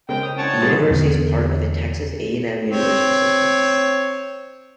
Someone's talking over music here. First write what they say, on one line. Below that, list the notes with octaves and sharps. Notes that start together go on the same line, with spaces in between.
The university is part of the Texas A and M University System.
C#3 G#3 A#4 C5 G5
C5 D#6
C#4 D4 E4 C#5 F#5 A5
G#2 F3 C#4 G#4 A4 A6
E2 D3
C4 C#5